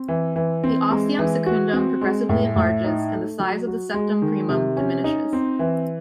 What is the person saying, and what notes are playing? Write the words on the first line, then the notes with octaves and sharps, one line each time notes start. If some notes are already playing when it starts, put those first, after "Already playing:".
The ostium secundum progressively enlarges and the size of the septum primum diminishes.
Already playing: C4
E3
E3
C4
G#3
E3
F#4
C4
G#3
A2
A2
D#4
A3
F#3
F#4
G#3
D#3
C3
C#4
D#4
C4
E3